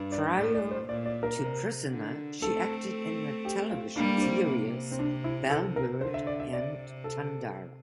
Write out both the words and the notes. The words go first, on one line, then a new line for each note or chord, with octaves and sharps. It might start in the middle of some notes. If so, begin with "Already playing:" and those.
Prior to "Prisoner" she acted in the television series "Bellbird" and "Tandarra".
Already playing: G2
D5
A2 D5
D5
C5
A#2 D5
D5
A#4
C3
D3
A3 C4 A4
G4
F4
G3 A#3 D4
D4
C4
C3
C4
D4
E4
A4
A#4
D3 C5
E5
D5
E5
C3 D5
A4